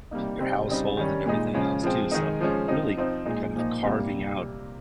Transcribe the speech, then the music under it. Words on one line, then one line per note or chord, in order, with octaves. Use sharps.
your household and everything else too. So really kind of carving out
C3 G3 A#3 D#4
C3 G3 C4 D#4
C#3 G3 C4 D#4
D#3 G3 C#4
A#2 G#3 D#4
C#3 F3 G#3 C#4
F3 G#3 C4
D#3 G#3 D#4
F3 G#3 C#4
F3 C4 D#4
F3 C4 D#4
A#2 G#3 D#4
A#2 F3 A#3 D#4
C3 G3 A#3